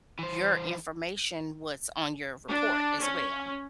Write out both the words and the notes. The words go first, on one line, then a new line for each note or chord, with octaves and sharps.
your information, what's on your report as well.
E3 C5
D4
C#4